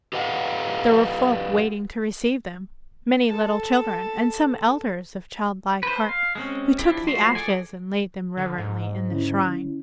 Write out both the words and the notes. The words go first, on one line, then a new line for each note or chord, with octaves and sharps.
There were folk waiting to receive them,--many little children, and some elders of childlike heart, who took the ashes and laid them reverently in the shrine.
G4 B4 D#5 F5 F#5
A4 A5
B4 C5
F5
G#3 C4 C#4
F3 D4 E4 G4
F3 A3 F#4 C5
G#4 A4 D5 G#5
D3
G#2
D3 C#4 E4